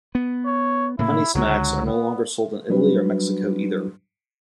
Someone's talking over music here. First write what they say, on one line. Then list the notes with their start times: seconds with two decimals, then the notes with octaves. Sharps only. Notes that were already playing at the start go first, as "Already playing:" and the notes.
Honey Smacks are no longer sold in Italy or Mexico either.
0.15 B3
0.46 C#5
0.99 A2 C#3 A#3 E4
1.35 C#2 D3 F#3 G#3
1.86 B3
2.70 F#3 G3 D4 F#4 B4